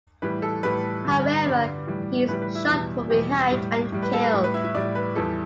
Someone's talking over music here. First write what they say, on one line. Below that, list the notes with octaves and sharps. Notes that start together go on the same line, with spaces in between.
However, he is shot from behind and killed.
A2 E3 G3 B4
A4
A2 E3 G3 B4
G2 D3 G3
G2 D3 G3 D5
A2 E3 G3
A2 E3 G3 B4
B4
E4
E2 B2 G3
E2 B2 G3 G4
A2 G3
A2 G3
B4
A4
B4
A2 G3
B4
E4
E4
A2 G3 D5
B4
E2 E3 G3 A4